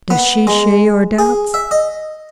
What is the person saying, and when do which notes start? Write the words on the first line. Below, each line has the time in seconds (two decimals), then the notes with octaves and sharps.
"Does she share your doubts?"
0.10 B3
0.47 G#3
1.19 G#4
1.54 E5
1.71 D#5